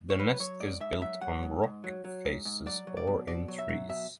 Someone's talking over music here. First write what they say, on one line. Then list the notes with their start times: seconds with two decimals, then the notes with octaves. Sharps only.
The nest is built on rock faces or in trees.
0.10 C#5
0.19 F#3 B4
0.40 F#3 C#5
0.60 G#2 D5
0.80 G#2 E5
1.01 F#3 E5
1.21 F#3 F#5
1.43 G#2
1.63 G#2
1.84 F#3
2.05 F#3
2.25 G#2
2.45 G#2
2.66 F#3 D5
2.87 F#3
2.97 D5
3.07 B2
3.27 B2 D5
3.48 F#3
3.58 E5
3.69 F#3
3.89 B2 E5